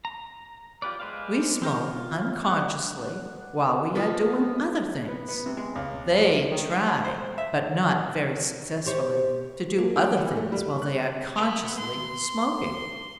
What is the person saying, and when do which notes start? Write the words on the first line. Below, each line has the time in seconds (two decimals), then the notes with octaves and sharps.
We smoke unconsciously while we are doing other things; THEY try, but not very successfully, to do other things while they are consciously smoking.
0.05 A#5
0.82 F4 G4 B4 D5
1.00 G#3 B4 C5 D5 F5
1.62 C4 G4 A#4 C#5
1.83 F4
2.48 D4 F#5
3.95 F3 B3
5.08 B3
5.28 B3
5.46 C3
5.57 G#3
5.76 C#2
6.52 D#3
7.04 C5
7.38 E5
8.86 G4 C5 C#5
9.78 A#3
9.96 G4
10.17 E3
10.37 A3
10.52 G3
10.82 F#6
11.34 B3
11.77 C6